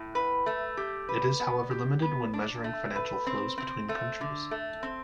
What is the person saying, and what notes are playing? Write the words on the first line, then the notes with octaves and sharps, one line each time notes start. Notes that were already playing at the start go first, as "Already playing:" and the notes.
It is however limited when measuring financial flows between countries.
Already playing: A2
B4
A3
G4
B4
B3
G4
B3
D4
A3
B4
C4
C4
A3
D3
A3
C4